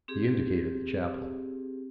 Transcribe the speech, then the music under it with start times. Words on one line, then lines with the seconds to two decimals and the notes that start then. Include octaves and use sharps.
He indicated the chapel.
0.08 C4 G4 G#4